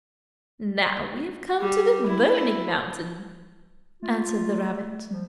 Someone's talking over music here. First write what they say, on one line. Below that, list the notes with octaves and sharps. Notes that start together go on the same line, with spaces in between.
"Now we have come to the 'Burning Mountain,'" answered the rabbit.
G3
E4
A3 F4
F3 G3